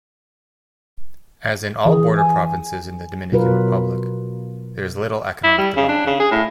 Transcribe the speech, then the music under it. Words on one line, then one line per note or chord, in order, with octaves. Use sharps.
As in all border provinces in the Dominican Republic, there is little economic development.
E3 G#4
G#5
B2 F#3 F4 A#4 B4
E4
G3
C#3
D4
C#3
G#4
A2